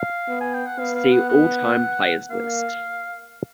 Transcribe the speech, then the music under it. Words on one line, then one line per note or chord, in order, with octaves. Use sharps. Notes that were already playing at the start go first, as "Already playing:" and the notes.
See all-time players list.
Already playing: F5
B3
G#5
G5
F#5
B3 F5
F5
F#5
F#5
A#3 F5